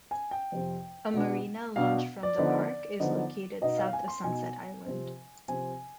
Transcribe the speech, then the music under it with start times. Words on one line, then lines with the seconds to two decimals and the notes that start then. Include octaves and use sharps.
A marina launch from the park is located south of Sunset Island.
0.11 G#5
0.31 G5
0.52 F2 C3 F3 C4
1.14 B2 B3 D4
1.76 B2 B3 D4 F5
2.23 D5
2.38 D3 F3 B3 D#4
3.00 D3 F3 B3 D#4
3.61 B2 B3 D#4 D#5
3.78 F5
3.93 G#5
4.08 C6
4.24 B2 B3 D#4 G#5
4.86 C3 F3 C4
5.48 C3 F3 C4 G#5